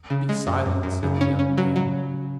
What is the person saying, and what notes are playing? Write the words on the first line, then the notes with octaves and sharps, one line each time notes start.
"Be silent," said the young man.
C#3
G#3
F#2
F#2
F#2
F#2 C#3
C#4
C#4
F#3
F#3